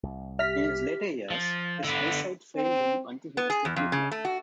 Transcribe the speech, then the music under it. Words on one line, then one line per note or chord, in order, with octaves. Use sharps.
In his later years his eyesight failed him until he was totally blind.
C2
G4 E5 F6 B6
F3
D3 B3
C4
B3
G#4
E2
F2
C#3
A3
F#4